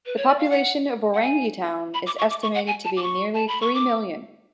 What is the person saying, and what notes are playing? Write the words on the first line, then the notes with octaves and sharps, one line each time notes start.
The population of Orangi Town is estimated to be nearly three million.
B4
C#5
D5
F5
F#5
F#5
G#5
B5
D6
C#6
D6
C#6
F#5
G#5
A5
D6
C#6
A5
B5
C#6
D6